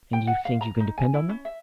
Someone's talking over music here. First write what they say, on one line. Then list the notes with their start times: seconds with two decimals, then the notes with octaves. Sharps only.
"And you think you can depend on them?"
0.13 G5
0.27 F#5
0.45 F5
0.61 A#5
0.80 D#4
0.98 G#5
1.14 E4
1.29 C#4
1.45 E5